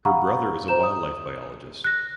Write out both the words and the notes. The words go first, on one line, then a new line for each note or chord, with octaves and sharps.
Her brother is a wildlife biologist.
F5 F#5 A#5 B5 C#6
C5 A#5 G6 E7
D#6
F#6 A#6